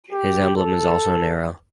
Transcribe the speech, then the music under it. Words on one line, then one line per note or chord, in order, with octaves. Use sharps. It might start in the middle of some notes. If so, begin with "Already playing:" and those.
His emblem is also an arrow.
G4
A4